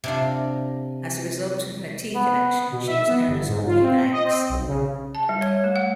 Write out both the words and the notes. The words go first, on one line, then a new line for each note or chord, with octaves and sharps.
As a result of her tea connection, she was known as "Hornibags".
C3 D4 F4
B3
B2
E5
B3
G1
G#2
F4
C4
D#5
C4
B1
C#3
A5
G3
C#5
A3
F#5